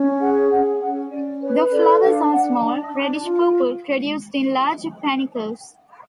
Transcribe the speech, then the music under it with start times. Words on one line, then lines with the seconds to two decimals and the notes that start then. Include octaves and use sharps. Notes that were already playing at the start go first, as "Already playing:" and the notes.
The flowers are small, reddish-purple, produced in large panicles.
Already playing: C#4
0.20 G#4 F#5
0.51 C#4 F#5
0.81 C#4 F#5
1.11 C#4 D5
1.41 B4 C#5
1.72 A4 D5
2.02 D4 F5
2.32 D4 F#5
2.63 D4
2.93 D4
3.24 F4